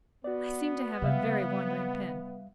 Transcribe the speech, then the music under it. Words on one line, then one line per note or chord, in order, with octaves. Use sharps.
I seem to have a very wandering pen.
B3 F#4 D5
C#3 G3 C4 E5 F5